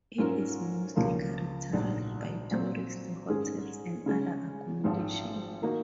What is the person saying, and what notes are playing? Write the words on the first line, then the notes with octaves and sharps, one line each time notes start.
It is mostly characterised by tourist hotels and other accommodation.
G#2 F#3 C#4 F4 A#4
C#2 C#3 F3 A#3 F4
A#1 G#2 F#3
A#2 F#3 C4
G#2 D#3 G#3 C#4 G#4
C#3 G#3 C#4
G#1 G#2 F3
D#3 A#3 D#4 F#4